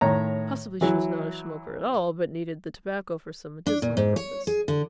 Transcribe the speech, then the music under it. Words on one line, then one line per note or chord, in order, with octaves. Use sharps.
Possibly she was not a smoker at all, but needed the tobacco for some medicinal purpose.
A2 D#3 C#5 A#5
E3 F#3 E4
D4
A#2
G#2
C#5
G#4
D3